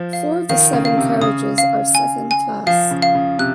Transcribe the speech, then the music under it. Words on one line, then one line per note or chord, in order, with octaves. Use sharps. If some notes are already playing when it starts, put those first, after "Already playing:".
Four of the seven carriages are second class.
Already playing: F3 C5
F5
D#3 F5
C#3
F5
C3
C#3 D#6
F5
G#5
G#5
F3 F5
C#3
F5
C#3
C3 F#6